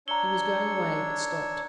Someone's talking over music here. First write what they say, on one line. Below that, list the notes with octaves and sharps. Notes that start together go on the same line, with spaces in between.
He was going away, but stopped.
D4 C#5 A#5 E6 G7